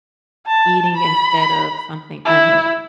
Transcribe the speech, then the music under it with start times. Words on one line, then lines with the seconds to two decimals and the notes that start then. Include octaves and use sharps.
eating instead of something unhealthy?
0.46 A5
0.97 B5
2.25 E4